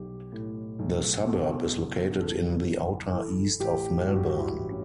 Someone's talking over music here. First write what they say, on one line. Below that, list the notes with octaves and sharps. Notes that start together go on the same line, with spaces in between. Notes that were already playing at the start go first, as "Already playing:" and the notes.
The suburb is located in the outer east of Melbourne.
Already playing: B1 G4
A2
B1
B2 A4
F#1
E2 A4
F#1
E3 A4
A1 G4
G2 F#4
G4
F#4
E4
A1
C#4